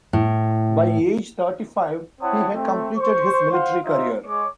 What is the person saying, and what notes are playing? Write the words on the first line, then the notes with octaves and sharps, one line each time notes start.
By age thirty-five, he had completed his military career.
A2
C4 E4 C#5 F#5 A5 D#6
A3 C4
C5 C#6
C5 F5 F#5 C6
D#4 F4 C5 E5
G#3 C#5 D6